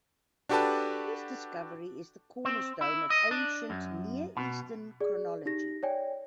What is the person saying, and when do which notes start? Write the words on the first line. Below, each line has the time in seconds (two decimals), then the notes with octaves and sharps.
This discovery is the cornerstone of ancient Near Eastern chronology.
0.49 D4 F#4 G4 A4 B4 A5
2.45 C4
2.81 E4
3.10 D#5
3.31 D4
3.70 F#2
4.37 B2
5.01 G#4 D5
5.45 D#4 G4 A#6
5.83 C#5 D5 G5 G#5